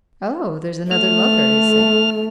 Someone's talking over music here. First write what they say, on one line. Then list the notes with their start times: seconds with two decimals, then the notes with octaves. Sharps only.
"Oh, there's another lover, is there?"
0.91 A3 F6